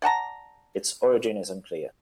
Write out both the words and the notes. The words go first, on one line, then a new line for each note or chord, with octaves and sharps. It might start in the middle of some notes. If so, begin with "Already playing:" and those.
Its origin is unclear.
D5 F#5 A5 A#5